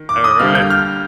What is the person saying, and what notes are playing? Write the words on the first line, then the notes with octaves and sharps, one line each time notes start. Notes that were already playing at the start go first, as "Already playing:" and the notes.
All right.
Already playing: D#3
D6
D#6
D3 G3 A#3 F6
G6
F6